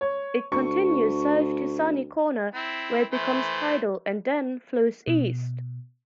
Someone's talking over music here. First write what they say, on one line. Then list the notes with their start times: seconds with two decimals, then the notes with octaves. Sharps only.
It continues south to Sunny Corner where it becomes tidal, and then flows east.
0.01 C#5
0.52 D2 C#6
2.54 C4 E4
3.12 E3 A3 C5
5.07 B2